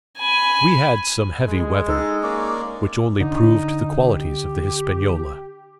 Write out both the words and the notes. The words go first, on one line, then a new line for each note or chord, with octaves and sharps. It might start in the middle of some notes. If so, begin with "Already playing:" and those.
We had some heavy weather, which only proved the qualities of the HISPANIOLA.
G#5 B5
G#3
D#4 A4
A#3 C#4 D5
D3 D#4
G4